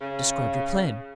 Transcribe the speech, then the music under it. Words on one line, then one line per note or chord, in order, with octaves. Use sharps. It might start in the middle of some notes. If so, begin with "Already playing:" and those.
"Describe your plan."
C#3